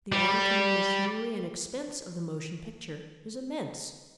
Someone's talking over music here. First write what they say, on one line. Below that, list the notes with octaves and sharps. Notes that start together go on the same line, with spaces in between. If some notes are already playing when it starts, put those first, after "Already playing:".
The oncoming machinery and expense of the motion picture is immense.
G3